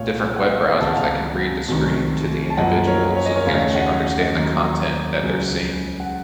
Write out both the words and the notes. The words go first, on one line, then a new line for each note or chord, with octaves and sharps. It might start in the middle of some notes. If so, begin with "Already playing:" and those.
different web browsers that can read the screen to the individual so they can actually understand the content that they're seeing.
Already playing: C2 A#2 A3 C#5 F5
F#5
F5
D#5 F#5
C#2 C3 D#3 A#3 A5
F#5
F5 A5
C2 C3 D#3 A3
A5
F#2 F3 A#3 D#5 F#5
A#4 C#5
C#5
D#5
A#4 C#5
D#2 C#3 A3 C#5 F5
D#5 F#5
D#5 F#5
D#2 D#3 F#3 A#3
C#2 C#3 F#3
F#5